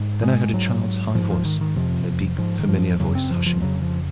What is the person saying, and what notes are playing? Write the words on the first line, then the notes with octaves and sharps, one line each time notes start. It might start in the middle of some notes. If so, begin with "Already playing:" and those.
Then I heard a child's high voice, and a deep familiar voice hushing it.
Already playing: G#2
G#3
G#2 F#3
G#2 F3
F3
D#3
D#3
F2 C3 F3
G#2 F3
D#3
F3
F#2 C#3 F#3
C4
F3
F3
F2 C#3 F#3
F3